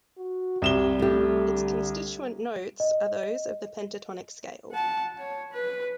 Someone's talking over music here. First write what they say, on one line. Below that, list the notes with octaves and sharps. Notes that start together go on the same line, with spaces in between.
Its constituent notes are those of the pentatonic scale.
F#4
C2 G3 E7 G7
G3 A3 G4
D3
D#5
F#5 A5
C#5
B4